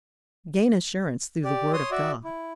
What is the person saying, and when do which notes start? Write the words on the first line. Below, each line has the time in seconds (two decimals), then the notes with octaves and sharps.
Gain assurance through the Word of God.
1.44 G4 D5
1.73 C#5 C6 D#6
1.91 F#4 D5 E5
2.24 E4